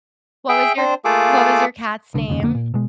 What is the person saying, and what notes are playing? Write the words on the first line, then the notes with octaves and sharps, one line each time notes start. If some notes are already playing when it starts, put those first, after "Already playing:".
What was your what was your cat's name?
G#4 E5 G5
C4 D4 C5
A3 A#3 F4 G#4 A4 D6
C2 D3
F1 D#2 C#3
F2 D3 A#3
A#2
B2 G#3